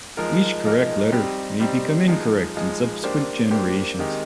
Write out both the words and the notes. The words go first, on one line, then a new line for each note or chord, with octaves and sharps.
Each correct letter may become incorrect in subsequent generations.
F3 G#3 D#4 A#4
F3 G#3 D#4 A#4
G3 C4 D#4 G4
G3 C4 D#4 G4
F3 G#3 D#4
F3 G#3 D#4
A#3 D4 G4 C5
A#3 D4 G4 C5
D#3 G#3 C4 D#4 G4